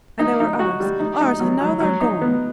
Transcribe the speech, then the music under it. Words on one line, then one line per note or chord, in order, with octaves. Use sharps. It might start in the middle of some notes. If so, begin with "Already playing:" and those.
"And they were ours, ours! and now they are gone."
D#4
D#4
F#4
G3
D#4
D#4
F#3
F#3
F#3
D#4
B3